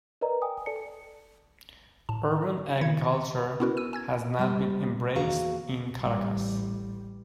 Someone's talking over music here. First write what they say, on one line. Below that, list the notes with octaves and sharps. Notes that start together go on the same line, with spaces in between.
Urban agriculture has not been embraced in Caracas.
A#4 B4 D5 D#5 A#5
G5 G#5 D#6
A4 D5 A5 C#7
A2 A5
D#3 E4 G#6 C#7
B3 C#4 E4 F#4 A#4 B4
E6 D#7
G#5 E6 G#6
G3 C5
E2 A#3 F#4 G#4 F5 A#5
A1 G3